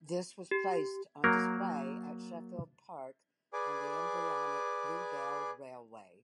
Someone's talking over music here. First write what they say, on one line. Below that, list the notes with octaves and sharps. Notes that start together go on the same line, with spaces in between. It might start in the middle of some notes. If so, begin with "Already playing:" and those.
This was placed on display at Sheffield Park on the embryonic Bluebell Railway.
G4
F#3 A#3 A#4
G#4 B4 D5 G#5 D6